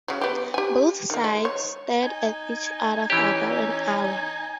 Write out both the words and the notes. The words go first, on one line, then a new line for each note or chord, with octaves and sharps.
Both sides stared at each other for about an hour.
C#3 F#3
B3 G4
G4 G#5
D#3 A#3
G#3
C#5
D#4 G#5
E3 C#4 G4